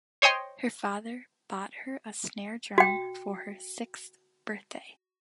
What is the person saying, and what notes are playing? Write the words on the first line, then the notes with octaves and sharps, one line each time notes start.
Her father bought her a snare drum for her sixth birthday.
C5 C#5 D#5 G5 C6
F#4 G5